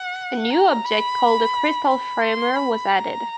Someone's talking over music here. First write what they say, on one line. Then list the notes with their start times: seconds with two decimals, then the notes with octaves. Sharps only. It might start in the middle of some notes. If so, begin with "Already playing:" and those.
A new object called a Crystal Framer was added.
Already playing: F#5
0.50 A#5
0.85 B5
1.88 B5
2.22 C6
2.56 B5
2.91 A#5